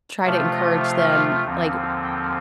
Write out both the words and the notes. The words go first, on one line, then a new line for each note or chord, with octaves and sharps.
try to encourage them, like,
C3 F3 A3 D4 F4 C5
D#5
F5
D#2 D3 F3 C4
G5